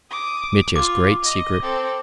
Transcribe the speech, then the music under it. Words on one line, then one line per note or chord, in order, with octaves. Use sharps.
Mitya's Great Secret.
D6 D#6
F4 D6
D#5
C4 A4